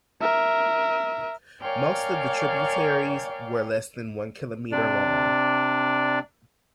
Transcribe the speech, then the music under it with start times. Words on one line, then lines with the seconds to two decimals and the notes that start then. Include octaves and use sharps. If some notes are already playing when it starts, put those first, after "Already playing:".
Most of the tributaries were less than one kilometer long.
0.21 A#4 E5
1.61 A#4 C#5 D5 F5 G5 G#5
4.72 C3 D4 D5